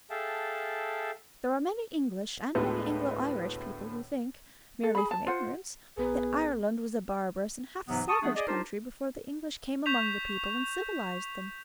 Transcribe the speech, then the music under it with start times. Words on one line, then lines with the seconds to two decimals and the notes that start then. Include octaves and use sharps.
There are many English and many Anglo-Irish people who think, merely from ignorance, that Ireland was a barbarous and half-savage country before the English came among the people and civilised them.
0.10 G#4 A4 E5 F5 G5 A5
2.55 D2 A2 D3 G#3 A3 B3
4.83 A4
4.95 G#4 B5
5.11 A5
5.26 F4 C5 F#5
5.97 A#1 B3 G#4 A#4 B4
7.88 G#2 C3 E3 F#3 B3
8.08 A5 C#6 D#6
8.22 F3 A3 B3 D4 G#4
8.35 G#4 D5 D#5
8.48 D4 D#4 F4 G4 A#4 C5
9.86 C#6 G6 B6 F7